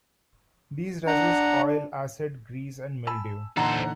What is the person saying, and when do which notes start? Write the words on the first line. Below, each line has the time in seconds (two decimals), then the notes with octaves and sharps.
These resist oil, acid, grease and mildew.
1.07 D4 F#5 A#5
3.07 G#5 A5 B5 E6
3.57 A#2 D3 E3 D#4 A4 C5 F#5 A#5